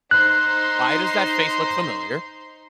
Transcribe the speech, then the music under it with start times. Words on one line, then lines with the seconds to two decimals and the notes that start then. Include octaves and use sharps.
"Why does that face look familiar?"
0.11 D#4 C5 C6 F#6